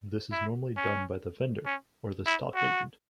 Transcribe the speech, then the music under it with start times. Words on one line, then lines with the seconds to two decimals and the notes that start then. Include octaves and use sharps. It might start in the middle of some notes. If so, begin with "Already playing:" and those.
This is normally done by the vendor, or the stock agent.
0.32 E4
0.77 C#4
1.66 C#4
2.26 E4
2.55 F#4